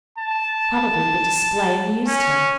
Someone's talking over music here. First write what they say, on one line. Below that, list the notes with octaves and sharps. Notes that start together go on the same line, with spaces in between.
Probably the display amused him.
A5
C#4